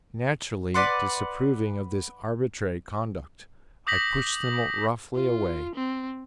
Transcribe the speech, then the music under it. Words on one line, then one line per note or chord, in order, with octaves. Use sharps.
Naturally disapproving of this arbitrary conduct, I push them roughly away.
B4 D5 F#5 C6
D6 D#6 G6 A#6 B6 F#7
F4
C4